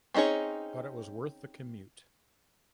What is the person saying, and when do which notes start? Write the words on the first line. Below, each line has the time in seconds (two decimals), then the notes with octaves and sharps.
But it was worth the commute.
0.14 C4 C#4 D#4 G#4 C#5